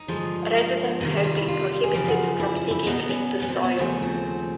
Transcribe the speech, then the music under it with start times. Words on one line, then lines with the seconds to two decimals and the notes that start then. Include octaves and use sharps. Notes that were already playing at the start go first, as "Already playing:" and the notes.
Residents have been prohibited from digging in the soil.
Already playing: D#4
0.08 G2 D3 F3 G#3
1.01 C3 D#3 G3
1.24 F4
1.36 E4
1.48 F4
1.83 G#4
1.93 F#2 C#3 F3 G4
2.08 F#4
2.40 E4
2.56 E4
2.71 E4
2.87 B2 F#3 B3 D#4
3.09 C#4
3.42 C#4
3.48 C4
3.64 B3
3.78 D#2 C#3 F3 A3 B3
4.02 C4